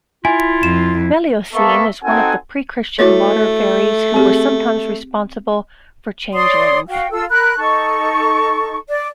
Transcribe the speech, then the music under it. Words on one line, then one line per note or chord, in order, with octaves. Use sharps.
Melusine is one of the pre-Christian water-faeries who were sometimes responsible for changelings.
E4 F4 G#5
F2 E7
A#3 B3 A4 E5 A5 C#6
C4 D#4 F#4 A4 F#5 G#5
A3 E4 F#4 C#5
C4 G4 G#4
C#5 D5 C6 D#6
F#4 F5 G5
F4 A4 E6
A#4 B5 F#6
D#4 A4 C#6
D5